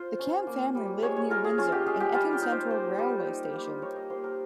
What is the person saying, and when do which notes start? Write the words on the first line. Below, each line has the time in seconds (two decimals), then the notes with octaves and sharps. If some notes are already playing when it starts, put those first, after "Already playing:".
The Camm family lived near Windsor and Eton Central railway station.
Already playing: F4 C5
0.19 C#4
0.47 A#3
0.75 G3
1.02 G#3 C#5
1.16 C#5
1.30 F4 A#4
1.44 G#4
1.58 C#4 F4
1.72 G4
1.86 G#3 G#4
2.00 G4
2.14 G3 F4
2.33 G4
2.42 D#4
2.52 C5
2.70 A#3 C5
2.98 G3
3.26 D#4
3.54 A#3
3.82 D#4 C#5
3.96 D#5
4.10 A#3 C5
4.24 A#4